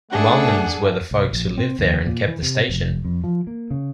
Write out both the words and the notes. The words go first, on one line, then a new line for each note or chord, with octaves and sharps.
The Wellmans were the folks who lived there and kept the station.
A3 D4 G#4 A4 F#5
C2
A#1
C4
D#2
A#2
E3
C3
F1
F2
F3
A#3
C#3